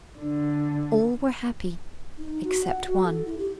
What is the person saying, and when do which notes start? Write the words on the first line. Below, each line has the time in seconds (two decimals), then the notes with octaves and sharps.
All were happy except one.
0.19 D3
2.18 D#4
2.44 F#4
2.64 F#5
2.87 F#4
3.04 A4
3.25 E4
3.38 G4